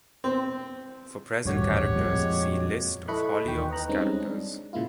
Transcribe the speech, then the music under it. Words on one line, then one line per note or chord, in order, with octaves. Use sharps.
For present characters see "List of Hollyoaks characters".
C4
D#1 A1 G2 F#4 G4 C#5
F2 A#2 G#3
E4 A4 D#5 B5 C#6 F#6
D#2 E3 D#4 G5 C#6
B4 D#5 A#5 F#6
G3 G#3 C4 C#4 D#4
D4
A#2 C#3 G#3 A#3 E4 F4